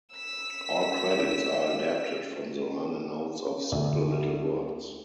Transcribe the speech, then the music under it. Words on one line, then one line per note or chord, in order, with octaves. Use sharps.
All credits are adapted from the liner notes of "Simple Little Words".
E6 B6
D2